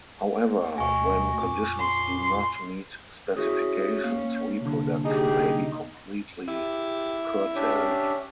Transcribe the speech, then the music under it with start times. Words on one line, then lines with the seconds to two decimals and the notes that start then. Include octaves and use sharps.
However, when conditions do not meet specifications, reproduction may be completely curtailed.
0.78 D2 B2 D#5 G#5 C#6
1.40 F2 A#2 D6
1.80 C6
3.36 C#4 E4 F#4 G#4 D#6
4.04 A#3 F5
4.61 C2 D3
5.05 D#4 G4 G#4
6.48 E4 G4
7.56 C#4 D4 G4 E5